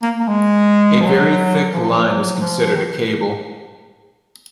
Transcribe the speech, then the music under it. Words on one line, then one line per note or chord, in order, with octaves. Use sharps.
A very thick line is considered a cable.
A#3
A#3
G#3
F3
F#3
F3
F#3
F3
D#3